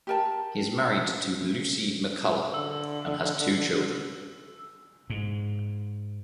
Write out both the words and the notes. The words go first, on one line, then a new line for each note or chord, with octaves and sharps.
He is married to Lucci McCullough and has two children.
G4 A#4 A5
D3 E6
G#2